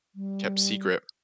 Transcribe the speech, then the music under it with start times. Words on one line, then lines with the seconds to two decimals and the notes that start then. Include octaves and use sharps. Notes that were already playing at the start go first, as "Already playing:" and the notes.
kept secret.
0.15 G3